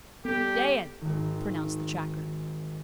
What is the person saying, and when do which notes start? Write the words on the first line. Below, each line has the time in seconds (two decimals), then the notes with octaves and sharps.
"Dead!" pronounced the tracker.
0.25 G3 B3 G4 A4
1.01 G#1 D#3